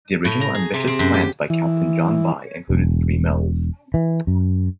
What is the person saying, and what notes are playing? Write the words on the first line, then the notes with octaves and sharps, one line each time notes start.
The original ambitious plans by Captain John By included three mills.
A2
A#5
G#4
C3
C4
F#2
G4
E3
E1
E3
F#2